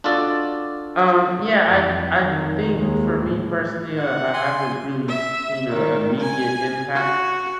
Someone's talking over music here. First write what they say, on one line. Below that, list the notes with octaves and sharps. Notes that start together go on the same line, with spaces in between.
Um, yeah, I I think for me personally, uh, I haven't really seen a immediate impact,
D4 F4 F#4 A4 D5 D#5
F2 E3
F2 D#3
D#2 G#3
A2
F#5
G#5 C6
E5
D#3
G#5
F#4